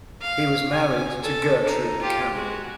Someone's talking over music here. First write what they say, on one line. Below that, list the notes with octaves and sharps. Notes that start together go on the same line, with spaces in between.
He was married to Gertrude Campbell.
F5
G#5
A4
D#4
F4 G4
G#3 F#4